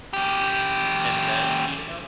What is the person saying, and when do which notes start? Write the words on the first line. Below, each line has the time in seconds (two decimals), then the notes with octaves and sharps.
and then heat it up
0.13 C#4 G4